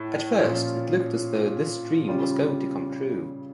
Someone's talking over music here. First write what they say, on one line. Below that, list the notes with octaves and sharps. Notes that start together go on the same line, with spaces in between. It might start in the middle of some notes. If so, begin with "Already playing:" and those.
At first, it looked as though this dream was going to come true.
Already playing: A2
A#2 F3 C#4 F4
C#3 G3 C#4 F4